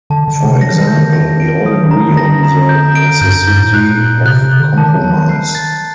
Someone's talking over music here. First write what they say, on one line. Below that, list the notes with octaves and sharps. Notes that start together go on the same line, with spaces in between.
For example: We all agree on the necessity of compromise.
D3 A5
D3
A5
C3
F#3 A#6
D#3
D3 G6
D#3
A#6
D7
F#3 D#6
D#3
D3 A#5
D#3
D3 A#6
A#5
G6
D7
G2 G6
F#2
G2 G6
A2
A#2 F#6
F#6
C3 F#6
C3
F#6
D3
D#3 A5
F#3
A5
D#3
C7
A6